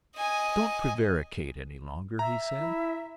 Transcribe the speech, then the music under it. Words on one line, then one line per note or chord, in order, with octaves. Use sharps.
"Don't prevaricate any longer," he said.
D#5 G#5
E5 A#5
E4